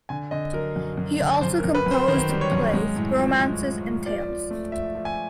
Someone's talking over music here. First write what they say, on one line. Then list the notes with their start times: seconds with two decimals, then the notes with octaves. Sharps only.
He also composed plays, romances and tales.
0.09 D3 G#5
0.31 D3 D#5
0.53 F#3 A#4
0.76 F#2
0.98 F#2
1.20 D3
1.41 F#2 C5
1.58 A#4
1.64 F#2
1.75 B4
1.86 F#2 C5
2.08 D#3 C5
2.29 G3
2.41 C#5
2.52 F#2
2.74 G#3
2.96 A2
3.18 F3
3.40 G#3
3.62 F3
3.84 F3
4.06 F3 D5
4.28 F3
4.51 A3
4.72 F3 E5
4.95 F3
5.05 G#5